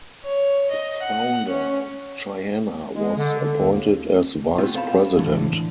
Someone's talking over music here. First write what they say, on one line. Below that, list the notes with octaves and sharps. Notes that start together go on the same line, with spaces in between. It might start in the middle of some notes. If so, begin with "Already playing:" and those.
Its founder, Chihana was appointed as vice-president.
C#5
D#5
F#5
C#4
G#3
D3
D3
D#2
A3 B3 C4 F4
A4 C5 F5 A5 B5
A2 D3 E3 F#3